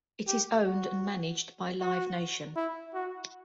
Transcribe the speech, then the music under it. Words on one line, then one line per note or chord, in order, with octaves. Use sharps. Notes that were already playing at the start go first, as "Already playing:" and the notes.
It is owned and managed by Live Nation.
G4
F#4
F#4
E4
F#4